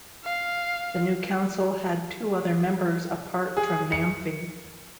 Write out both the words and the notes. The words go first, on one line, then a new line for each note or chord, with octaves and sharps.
The new council had two other members apart from Namphy.
F5
G#4
C#7